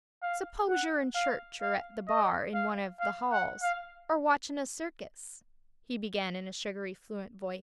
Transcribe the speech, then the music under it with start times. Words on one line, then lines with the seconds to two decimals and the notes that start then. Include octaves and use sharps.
"Suppose yer in church or at the bar in one of the halls,--or watchin' a circus," he began in a sugary, fluent voice.
0.23 F5
0.69 F#5
1.15 F5
1.61 F5
2.08 D#5
2.54 F5
3.00 F5
3.32 F#5
3.63 F5